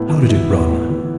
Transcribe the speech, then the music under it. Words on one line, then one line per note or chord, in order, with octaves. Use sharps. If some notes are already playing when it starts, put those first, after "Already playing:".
How did it run?
Already playing: A2 B3 E4
E3
E4
B3
A2
E3